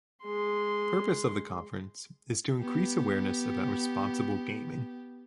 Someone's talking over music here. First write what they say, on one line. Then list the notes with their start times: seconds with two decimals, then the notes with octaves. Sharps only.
Purpose of the conference is to increase awareness about responsible gaming.
0.24 G#3 C6
2.60 B3 G4